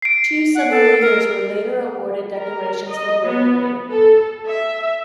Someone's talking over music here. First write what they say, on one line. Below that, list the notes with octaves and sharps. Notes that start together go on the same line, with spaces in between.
Two submariners were later awarded decorations for bravery.
C7 D7
F#5
A4
A#4
A#4
D#5
B3
A4
E5